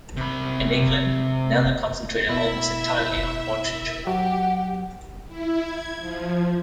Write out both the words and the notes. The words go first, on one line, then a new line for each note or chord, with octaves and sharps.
In England, Kneller concentrated almost entirely on portraiture.
C3 B5
B2 E4 E5
F#3 G4 F#5
E4
G#6
F3